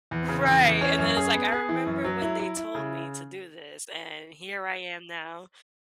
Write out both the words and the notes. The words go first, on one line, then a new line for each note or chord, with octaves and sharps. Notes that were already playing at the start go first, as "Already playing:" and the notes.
Right, and then it's like, "I remember when they told me to do this, and here I am now"
E2
C#3
E2
E2
C#4
F#2
G#4
B3
G#4
E3
F#2
F#3
E4
E4
E4
C#3